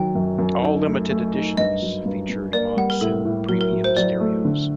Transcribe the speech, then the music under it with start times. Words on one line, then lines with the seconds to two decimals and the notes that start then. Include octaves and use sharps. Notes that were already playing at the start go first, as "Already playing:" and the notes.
All limited editions featured Monsoon premium stereos.
Already playing: D#3 F#3 G5
0.15 F#2
0.38 F#2
0.62 D#4
0.87 A3
1.10 A3
1.34 D#4
1.57 G2 D#5
1.82 F#3
2.05 G2
2.29 G2
2.53 A#3 D5
2.77 G3 F#5
2.90 A#4
3.01 A2 A4
3.25 A2
3.49 F#3 A#4
3.61 A#4
3.72 F#3
3.84 C5
3.97 F#3 D5
4.20 A3
4.45 D3